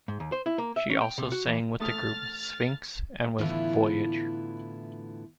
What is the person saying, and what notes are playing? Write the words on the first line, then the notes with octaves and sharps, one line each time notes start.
She also sang with the group "Sphinx" and with "Voyage".
G#2
D#2
C5
E4
A#3
E5
C#4
G5
C3
F#4
E3
A1 A3 D#6 F6 A6
A2 D3 E3 B3 E4 F4